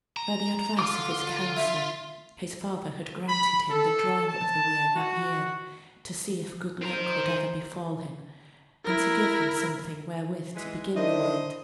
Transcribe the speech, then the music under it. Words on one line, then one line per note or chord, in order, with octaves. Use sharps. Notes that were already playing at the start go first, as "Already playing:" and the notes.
By the advice of his council, his father had granted him the drawing of the weir that year, to see if good luck would ever befall him, and to give him something wherewith to begin the world.
A#5
D3 F4 D6
E5
B5
A4
A5
F#4
D#3 C5 A#5
E4 A#4
G#2 E3 G#3
D#3 D4 E4 C5 D#5